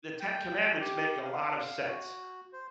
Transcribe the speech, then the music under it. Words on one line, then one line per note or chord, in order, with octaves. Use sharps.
Eh, The Ten Commandments make a lot of sense,
G5
G4
F5
F#4
C5